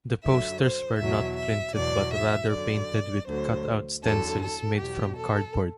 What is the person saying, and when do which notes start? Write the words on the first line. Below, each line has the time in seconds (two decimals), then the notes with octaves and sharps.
The posters were not printed but rather painted with cut-out stencils made from cardboard.
0.23 F#2 D3 F#3 E5
0.61 C5
0.99 E2 B2 F#3 E5
1.38 E5
1.75 E2 B2 F#3 D5
2.13 E5
2.51 F#2 D3 F#3 D5
3.27 D2 D3 F#3 C5
4.03 E2 D3 F#3 A4
4.42 A4
4.79 E2 B2 F#3 G4
5.17 A4